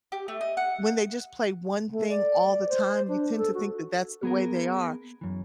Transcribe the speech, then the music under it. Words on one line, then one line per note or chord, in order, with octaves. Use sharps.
when they just play one thing all the time, you tend to think that that's the way they are.
G4
A3
D#5
F#5
A3
D5
C5
D4
A4
F#4
B3 G#4 A#4
F#2 E3